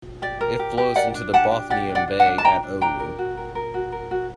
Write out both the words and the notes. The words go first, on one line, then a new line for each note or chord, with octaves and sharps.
It flows into the Bothnian Bay at Oulu.
G4 D5
A#4
G4
G4
A#4 D5 F#5
D4
G4 F#5 A5
D4
G4 D5 F#5
D4
D5 F#5
D4
F#5 A5
D4
A5
D4 G5 A#5
D4
D4 G5 A#5
A#4
F#4
A#4
A#4
F#4
A#4
F#4